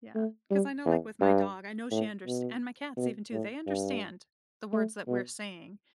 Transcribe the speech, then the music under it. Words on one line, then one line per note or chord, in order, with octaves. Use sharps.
yeah, 'cause I know, like, my dog, I know she underst and my cats even, too, they understand the words that we're saying,
A3
G3
E2
G2
A2
B2
B2
A2
G2
A3
B2